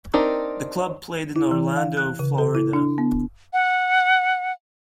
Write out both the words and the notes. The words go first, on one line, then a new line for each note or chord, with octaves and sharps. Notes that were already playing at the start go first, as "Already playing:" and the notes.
The club played in Orlando, Florida.
C4 D4 D#4 G4 A#4
E4
E3
F5
F#6
C#3
A4
E4
D4
B3
F#5